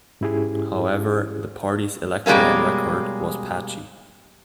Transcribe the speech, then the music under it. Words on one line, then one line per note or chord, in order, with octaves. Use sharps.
However, the party's electoral record was patchy.
G#2 C#4 E4 G4 G#4
B2 G3 G#3 A#3 C#4